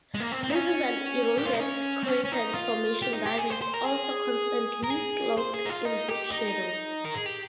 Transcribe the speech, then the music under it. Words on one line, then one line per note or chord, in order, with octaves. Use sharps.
This is an eroded crater formation that is almost constantly cloaked in deep shadows.
G#3
A#3
C4
C4
D#4
C#4
G4
F4
D#4
C#4
C4
C#4
C#4
D#4
F4
G4
D#4
G4
G#4
C5
C5
A#4
G#4
A#4
G#4
C5
G#4
D#4
F4
D#4
G4
D#4
A#4
G#4
G4